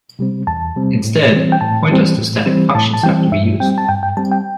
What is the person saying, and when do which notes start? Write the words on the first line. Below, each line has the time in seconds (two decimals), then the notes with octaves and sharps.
Instead, pointers to static functions have to be used.
0.19 C3 G3 C4
0.47 E2 A5
0.76 C3 G3 C4
1.04 A2
1.33 E3 G3 C4
1.52 G5
1.61 A2 A5
1.89 E3 G3 C4
2.17 A2
2.46 E3 G3 C4
2.75 A2 A5
2.94 A5
3.03 E3 G3 C4 G5
3.32 G2 E5
3.60 G3 C4 G5
3.78 A5
3.89 G2 G5
4.03 G5
4.17 G3 C4 A5
4.31 G5